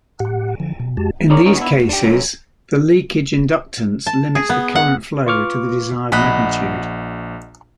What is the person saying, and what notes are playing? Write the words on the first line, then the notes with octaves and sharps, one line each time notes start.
In these cases, the leakage inductance limits the current flow to the desired magnitude.
A2 G4 F#5
D3 F3
B2
F2 G#3 F#4 G4 A5
D#4 G#4 A#4 C#5 D5
D3 C#4 D#4 G#4 A#4 C#5
B3 D4 E4
D2
D4 G4
G2 D3 F#3 C#4
A5
G#4
B3
F#5
F4 B4 C#6 D6 F6
A#1 D#5 F#5 B5